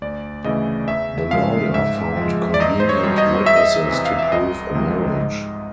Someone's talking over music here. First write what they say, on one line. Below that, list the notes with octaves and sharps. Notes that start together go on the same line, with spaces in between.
The lawyer found convenient witnesses to prove a marriage.
D2 D5
C#3 E3 A3 D#5
E2 E5
C#3 F3 G#3 F5
G#2 E5
F3 G#3
D5
E2 D#5
C5
C#5
B2 G3
D#5
E2 E5
D#5
E5
C3 E3
F5
E5
C2 D#5
C3 F3 G#3
G#2